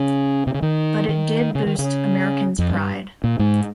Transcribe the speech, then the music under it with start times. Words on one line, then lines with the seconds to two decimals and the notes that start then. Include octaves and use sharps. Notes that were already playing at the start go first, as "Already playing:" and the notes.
But it did boost Americans pride.
Already playing: C#3
0.47 C3
0.54 C#3
0.62 D#3
1.09 D#3
1.55 C#3
1.66 D#3
1.78 C#3
2.59 F2
2.70 G2
3.24 A#2
3.39 G#2